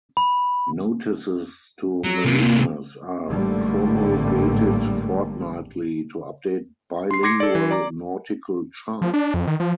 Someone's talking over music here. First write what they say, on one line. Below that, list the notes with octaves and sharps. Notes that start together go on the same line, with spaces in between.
Notices to Mariners are promulgated fortnightly to update bilingual nautical charts.
B5
F#3
C3 A#3
A1 G#2 D3 G3 A3 A#3
C6 C7
C6 D6 G#6 A#6 C7 C#7
A4 D5
E3
D5 A#5 D6
F3
D4
F2
D#3
F3